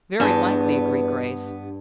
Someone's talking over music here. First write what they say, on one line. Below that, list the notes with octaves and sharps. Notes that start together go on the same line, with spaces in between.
"Very likely," agreed Grace.
E2 G2 B3 G#5